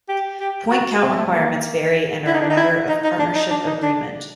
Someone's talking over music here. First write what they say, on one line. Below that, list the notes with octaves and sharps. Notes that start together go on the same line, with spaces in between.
Point count requirements vary and are a matter of partnership agreement.
G4
G4
F#4
C4
A3
A#3
E4
D#4
D4
D#4
E4
D#4
D#4
D4
D#4
D4
D#4
D4